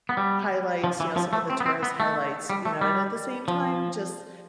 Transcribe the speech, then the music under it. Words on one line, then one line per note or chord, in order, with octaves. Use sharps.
highlights, you know, some of the tourist highlights, you know, and at the same time, just
B3
G3
F3
E3
F3
A3
C4
B3
C4
B3
A3
G3
A3
G3
F3